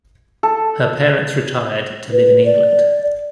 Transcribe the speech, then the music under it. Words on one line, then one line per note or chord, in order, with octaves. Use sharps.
Her parents retired to live in England.
A4
B4
D5